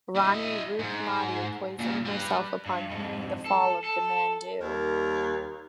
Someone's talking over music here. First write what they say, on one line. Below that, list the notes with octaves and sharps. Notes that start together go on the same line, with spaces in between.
Rani Roopmati poisoned herself upon hearing of the fall of Mandu.
E4 D#5
G#2
A#2 C#3
G3 B4
G2
F2 G#2
A4
A4
D#2 G3 A#4